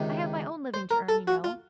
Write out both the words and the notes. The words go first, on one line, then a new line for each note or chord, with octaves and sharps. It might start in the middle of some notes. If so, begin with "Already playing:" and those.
I have my own living to earn, you know.
Already playing: C#2 C3 D#3
C5
A#4
A4
F#4
F4